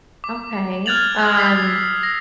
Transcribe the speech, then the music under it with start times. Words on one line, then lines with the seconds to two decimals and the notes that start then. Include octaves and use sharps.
Okay. Um
0.24 D6
0.86 F6 F#6 G#6 A6 F7 F#7
1.36 D#6 E6 B6 C7
2.03 A#6